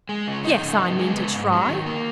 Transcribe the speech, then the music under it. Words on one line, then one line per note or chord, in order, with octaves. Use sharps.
"Yes; I mean to try."
G#3
C#3
D#4
C#3
B3
G#3
B3
G#2
F#3
D#3
A#3